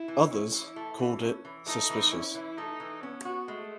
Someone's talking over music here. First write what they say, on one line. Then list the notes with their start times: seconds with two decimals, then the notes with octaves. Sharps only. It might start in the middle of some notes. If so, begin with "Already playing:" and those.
Others called it "suspicious".
Already playing: E4
0.08 E3
0.31 C#4 E4
0.54 E3
0.76 A3
0.99 E3
1.21 C#4
1.45 E3
1.67 A3 D#4
1.90 E3
2.12 C#4 E4
2.35 E3
2.57 A3 D#4
2.80 E3
3.02 B3 C#4
3.25 F#4
3.48 G#3 A3